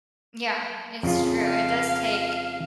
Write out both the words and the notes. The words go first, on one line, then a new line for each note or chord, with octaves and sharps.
Yeah, it's true. It does take
F2 C#3 F4
F5